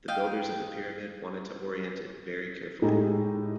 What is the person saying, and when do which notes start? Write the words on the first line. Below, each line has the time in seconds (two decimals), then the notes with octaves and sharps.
The builders of the Pyramid wanted to orient it very carefully.
0.08 D#5 F5 G5
2.82 A2 G#3 D#4 G4